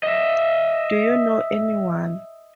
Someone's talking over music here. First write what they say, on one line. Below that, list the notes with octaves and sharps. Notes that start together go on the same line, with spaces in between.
Do you know anyone?
D#5 E5